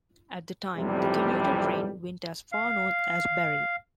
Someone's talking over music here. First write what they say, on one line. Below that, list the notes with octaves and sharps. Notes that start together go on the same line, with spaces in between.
At the time, the commuter train went as far north as Barrie.
B1 F2 A2 C3 E3 G3
F5